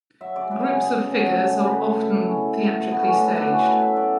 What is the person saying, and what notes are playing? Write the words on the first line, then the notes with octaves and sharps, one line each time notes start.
Groups of figures are often theatrically staged.
F#3 E5
C#3 D5
F#3 B4
C#3 G#4
C#3
A3
F#3
A3
C#3
A3 G#4
A3 B4
C#3 A4
B2 E4
A3
C#4
B2
A3
B2
A3
A3 B3
B2 C#4
D4
A3 E4
B2 D4
A3 C#4
B4
A3
F#3 E5
B2 D5